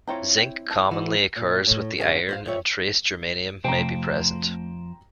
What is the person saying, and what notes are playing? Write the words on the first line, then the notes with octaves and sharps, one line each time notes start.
Zinc commonly occurs with the iron and trace germanium may be present.
C4 E4 F4 C#5 G5 A#5
G5
A5
E3 F#4 D5
A#2
A2
G2 C#3 F#4 G#4 A4 F5
C5 D5 F5
F3 G3 C#5 E5
F2 C3 A3 C4 G5 A#5